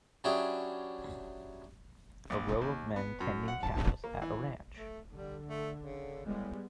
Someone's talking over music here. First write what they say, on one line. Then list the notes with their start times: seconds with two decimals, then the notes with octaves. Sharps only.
A row of men tending cows at a ranch.
0.24 F#3 C#4 D4 E4 G4 G#4
2.30 A#1
2.61 D#2
2.96 B3
3.20 F#2
3.48 F#5
3.63 A5
4.04 A#3
4.22 E3
4.75 A3
5.13 D3 G3
5.49 A3
5.79 C#3
6.26 A2 G3 G#3 B3